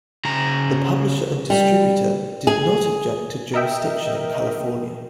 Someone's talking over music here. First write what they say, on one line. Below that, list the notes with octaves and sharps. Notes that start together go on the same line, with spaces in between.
The publisher and the distributor did not object to jurisdiction in California.
C#3 A#5
G3
G#4
A#4 D#5 E5 G5